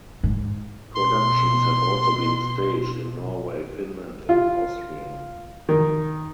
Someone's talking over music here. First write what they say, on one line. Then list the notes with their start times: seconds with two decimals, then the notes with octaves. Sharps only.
Productions have also been staged in Norway Finland and Austria.
0.24 G#2
0.95 B2 C6
4.29 F4
5.69 D#3